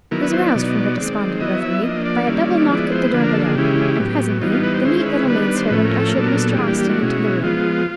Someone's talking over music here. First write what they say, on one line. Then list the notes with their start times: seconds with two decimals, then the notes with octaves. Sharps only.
She was aroused from her despondent reverie by a double knock at the door below, and presently the neat little maid-servant ushered Mr. Austin into the room.
0.11 D#3 F#3 B3 E4 A#4
0.22 B4
0.33 C5
0.44 D5
0.55 B2 F#3 B3 D#4
0.98 D#3 G#3 C4
1.40 F#3 B3 E4 D#5
1.62 E5
1.83 F3 A#3 D4 D#5
2.05 D5
2.27 D#3 G3 A#3 C#4 E4
2.70 F3 G#3 B3 E4 D5
2.92 C5
3.13 D3 F3 A#3 D4 B4
3.24 A#4
3.34 A4
3.45 G#4
3.55 C#3 E3 G#3 C#4 E4 G4
3.99 A2 F#3 B3
4.41 E3 G3 B3 D#4 F4
4.52 F4
4.63 B4
4.74 C5
4.85 D#3 G#3 C#4 E4 C5
5.06 B4
5.27 D#3 G3 B3 D4 B4
5.42 B4
5.56 C5
5.70 A2 F3 A3 C#4 B4
5.85 A#4
5.99 A4
6.09 A#4
6.14 A#2 F#3 B3 D4 A4
6.27 A#4
6.36 A4
6.52 G4
6.57 E3 G3 A#3 D4 G#4
6.68 G4
6.78 G4
6.89 F#4
7.00 B2 G#3 C#4 E4
7.43 F3 G#3 B3 F4